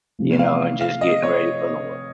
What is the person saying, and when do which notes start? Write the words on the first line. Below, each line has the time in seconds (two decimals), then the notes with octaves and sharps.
you know, and just getting ready for the world.
0.19 C3 F3 A3
0.39 F5
0.81 F5
1.01 D#5
1.23 C#5